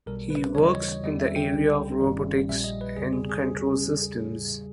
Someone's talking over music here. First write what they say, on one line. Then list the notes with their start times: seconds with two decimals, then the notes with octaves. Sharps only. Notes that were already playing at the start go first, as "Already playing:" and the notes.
He works in the area of Robotics and Control Systems.
0.06 B1 B2 G3 A#4
0.30 B4
0.55 D#2 C#3 E3 G3 C#5
0.64 D#5
0.73 C#5
1.04 E2 D#3 G3 D#5
1.20 E5
1.36 G5
1.52 C#2 C#3 G3
2.01 G1 G2 D#3 G3
2.49 A#1 A#2 G3 E5
2.64 D#5
2.81 B4
2.97 E2 C#3 G3 G#4
3.13 G#4
3.30 G#4